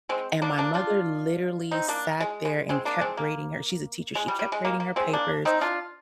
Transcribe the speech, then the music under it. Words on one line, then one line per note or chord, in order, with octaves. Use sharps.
And my mother literally sat there and kept grading her- she's a teacher- she kept grading her papers,
G#3 C4
A#3 D4
A#3 D4
D4 F4
C4 D#4
A#3 D4
G#3
G#3
G#3 C4
A#3 D4
G#3 C4
A#3
G#3
G3
G3
G#3
A#3
A#3
G#3 C4
A#3 D4
C4 D#4
D4 F4